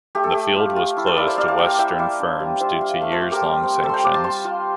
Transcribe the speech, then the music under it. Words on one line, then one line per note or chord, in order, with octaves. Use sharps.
The field was closed to Western firms due to years-long sanctions.
A3 G4
A4
A3 G4
F4
F4
E4
A4 C5
E4 A#4 D5
C5 E5
A#3 D5 F5
F5 A5
A#3 G5 A#5
F5 A5
E4 E5 G5
E4 D5 F5
D4
G3
F4 C5 E5
F4
A3
A4 C5
F4
G4 A#4
G3
C4
G3 A4 C5
G5 A#5 C6
F4 A#5 D6
A5 C6
G3 A5 C6
F4